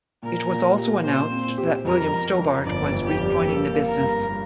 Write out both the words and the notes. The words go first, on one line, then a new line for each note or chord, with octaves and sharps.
It was also announced that William Stobart was rejoining the business.
A#2 A#4
A#2
G4
A#2 C5
C4
G4
F2 A#4
F2
F2
G1 D5
F2
G4
G3
A#3 A4
A#3
A#4
G2
A#3